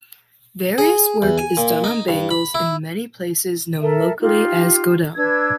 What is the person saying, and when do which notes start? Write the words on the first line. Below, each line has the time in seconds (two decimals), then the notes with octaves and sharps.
Various work is done on bangles in many places known locally as "godam".
0.78 G#4
1.22 E2
1.38 G#5
1.57 A#2
1.84 D#4
2.08 G2
2.31 B5
2.54 E4
3.82 A4 A#4 E5
4.20 D#4 F4 G4
5.16 D4 B4 E6 G#6